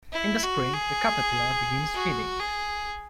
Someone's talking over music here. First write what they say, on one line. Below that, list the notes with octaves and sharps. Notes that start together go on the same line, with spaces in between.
In the spring the caterpillar begins feeding.
E4
F#4
G#4
F#4
G#4